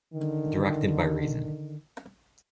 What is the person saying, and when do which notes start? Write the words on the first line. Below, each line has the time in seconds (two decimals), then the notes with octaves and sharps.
Directed by reason.
0.13 D3 D#3